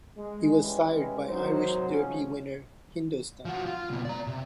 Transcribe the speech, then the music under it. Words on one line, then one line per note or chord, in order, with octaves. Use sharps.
He was sired by Irish Derby winner Hindostan.
G#3
G3 G#3 C#4 E4 B4
G#1 F#3 D#4 C5
F#2 F3 G#3 C#4
F3 F#4
F4
C#2 B2
D5 A#5
C3